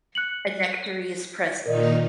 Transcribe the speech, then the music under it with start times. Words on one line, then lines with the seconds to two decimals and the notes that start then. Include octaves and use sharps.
A nectary is present.
0.15 F#6 C#7 F#7
1.66 A#2 D#3 D#4 A#4 D5 D#5